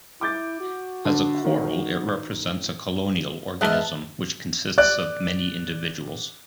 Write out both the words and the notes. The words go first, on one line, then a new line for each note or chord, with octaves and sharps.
As a coral, it represents a colonial organism, which consists of many individuals.
E4 D6 G6 A6
F#4
D3
D#3
A2
G#2 B4 D#5 E5 A5 F6
D5 F#6